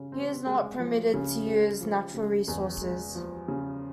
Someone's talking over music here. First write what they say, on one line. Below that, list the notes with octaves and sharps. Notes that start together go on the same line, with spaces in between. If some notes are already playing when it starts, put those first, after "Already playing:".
Here is not permitted to use natural resources.
Already playing: C#3
C4
G#3
F3
C#3
G#3
F3
C#3
E2
G#3
F3
C#3